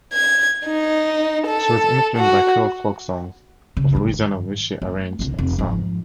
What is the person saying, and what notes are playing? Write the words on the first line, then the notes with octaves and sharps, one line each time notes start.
She was influenced by Creole folksongs of Louisiana which she arranged and sang.
G#6
D#4
A4
F#4
C#3
G2 D#3
A3
C2 D3
F1
G#2 F3